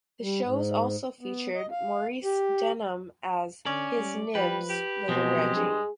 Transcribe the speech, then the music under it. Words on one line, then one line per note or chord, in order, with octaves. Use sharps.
The shows also featured Maurice Denham as "His Nibs" Little Reggie.
G3
G#2
B3
D#5
F5
G4
D3 C#4 D5
G3
F3 G3 B4
G4
B2 F3 F#3 G#3 C4
G2 G#4